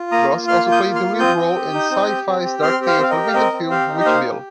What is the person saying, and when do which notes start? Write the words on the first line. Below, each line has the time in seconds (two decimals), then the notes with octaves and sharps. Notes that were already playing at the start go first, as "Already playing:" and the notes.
Goss also played the lead role in Syfy's dark tale television film "Witchville".
Already playing: F4
0.12 A#3 A#5 D#6
0.30 F4
0.48 A#3 C6 F6
0.65 F4
0.72 D#6 G6
0.83 A#3
0.95 C6 F6
1.02 F4
1.19 C4 D#6 G6
1.37 C4
1.55 G4
1.74 D#4
1.91 C4
2.09 G4
2.27 C4
2.45 G4
2.62 C4 C6 F6
2.81 G4
2.86 C5 F5
2.99 C4 F5
3.10 A#4 D#5
3.17 G4
3.28 F5
3.34 C4 A#4 D#5
3.53 C4
3.70 G4 C5 F5
3.88 D#4
4.00 D#5
4.05 A#3 C5 F5
4.24 G4